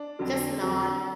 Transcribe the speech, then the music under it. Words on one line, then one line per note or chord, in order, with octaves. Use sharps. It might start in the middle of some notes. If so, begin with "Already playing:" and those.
just nod,
Already playing: D4
F2 D3 F#3
F2 D3 F#3